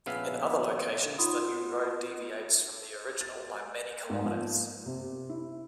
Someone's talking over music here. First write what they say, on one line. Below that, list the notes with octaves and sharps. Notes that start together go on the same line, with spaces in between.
In other locations the new road deviates from the original by many kilometres.
A#1 C#3 B3 E5 F5
D#4 F4 F#5 B5 C6 D#6
A6
G#2
F3
A#3
C3
E4